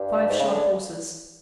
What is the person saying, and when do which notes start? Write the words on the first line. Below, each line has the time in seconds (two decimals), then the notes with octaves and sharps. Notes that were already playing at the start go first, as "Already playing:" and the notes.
Five shod horses.
Already playing: G2
0.29 G#2
0.39 C#3
0.50 D3